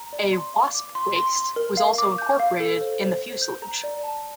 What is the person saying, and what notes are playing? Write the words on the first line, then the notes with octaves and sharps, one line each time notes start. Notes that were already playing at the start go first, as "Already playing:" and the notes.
A "wasp waist" was also incorporated in the fuselage.
Already playing: A#5
D5
C6
F5
D6
C6
C6
C6
A#4
F5
D6
G6
F5
A4
C5
C5
C5
G6
A#5
D5
A5